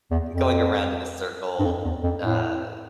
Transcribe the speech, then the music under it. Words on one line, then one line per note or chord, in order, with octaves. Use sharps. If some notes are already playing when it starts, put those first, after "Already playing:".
going around in a circle, uh,
E2
F2
G2
F2
E2
F2
A2